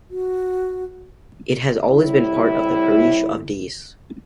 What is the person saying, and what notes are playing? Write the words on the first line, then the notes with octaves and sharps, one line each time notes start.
It has always been part of the parish of Diesse.
F#4
A2 C3 G3 E4